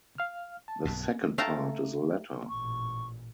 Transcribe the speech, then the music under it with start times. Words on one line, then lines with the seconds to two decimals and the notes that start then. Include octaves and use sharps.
The second part is a letter.
0.18 F5 F6
0.68 A5
0.85 B1 G2 B2
1.38 A3 F5 G5 A5 A#5
2.49 A1 A#2 C#6